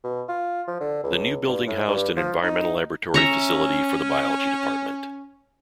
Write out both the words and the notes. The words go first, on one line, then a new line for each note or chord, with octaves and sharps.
The new building housed an environmental laboratory facility for the Biology Department.
B2
F4
F3
D3
C#2
G2
A2
G2
F3
D#4
C#4 E5 A#5 C#6